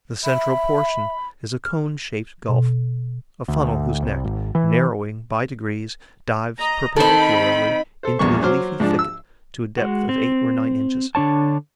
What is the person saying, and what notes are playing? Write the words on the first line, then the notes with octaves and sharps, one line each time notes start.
The central portion is a cone-shaped gulf, a funnel whose neck, narrowing by degrees, dives perpendicularly into the leafy thicket to a depth of eight or nine inches.
E5 B5
F6
B2
D2
C2
G#1
E3
D#5 A#5
D#3 C4 A4 C5 B5
A4 C5
A#1 E2 G2 A#3 C#6
F#3 C5 C6 D6 F6
G#2 F3 D4
E6
G#3 F#4
C4
D3 D4 C#5 A5